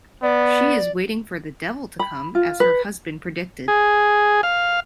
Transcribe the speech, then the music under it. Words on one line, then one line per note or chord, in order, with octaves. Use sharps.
She is waiting for the devil to come, as her husband predicted.
B3 D5
B5
F4
B4
G#4
F5